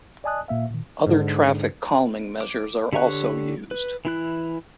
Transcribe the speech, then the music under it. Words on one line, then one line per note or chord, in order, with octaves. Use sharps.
Other traffic calming measures are also used.
D5 D#5 G#5 A5 D#6 F#6
A#2 A#3 E5 F5
A#2 D#3
G#2 D3
D6
D3 G4 C#5 C#6 F#6
B4
E3 E4 F#6